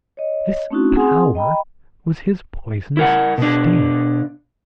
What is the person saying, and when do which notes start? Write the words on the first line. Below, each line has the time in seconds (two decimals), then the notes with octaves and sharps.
This power was his poisonous sting.
0.17 C#5 D#5
0.70 A3 C4 C#4 D#4 E4 F#4
0.96 C4 G#4 F#5 G#5 C6 D#6
1.35 D#5 G5 A#5 B5
2.97 E4 A#4 F#5
3.38 B2 D4